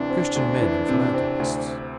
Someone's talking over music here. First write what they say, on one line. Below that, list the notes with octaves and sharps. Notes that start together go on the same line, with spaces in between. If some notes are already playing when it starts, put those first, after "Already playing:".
Christian men and philanthropists!
Already playing: D2 C3 E3 D4
C4
D2
E3
C3
C4
D2